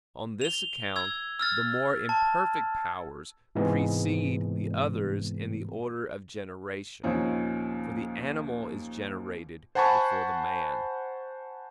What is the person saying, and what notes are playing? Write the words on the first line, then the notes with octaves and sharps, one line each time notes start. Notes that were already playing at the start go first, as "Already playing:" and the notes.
On this account, the more imperfect powers precede the others in the order of generation, for the animal is generated before the man.
F7 G7
E6 G#6
E6 F6 A6
A5
G#2 C3 E3 G#3 B3 C4
D#2 A#2 F3 C4 C#4 D#4
C5 F#5 G#5 A5 B5 C#6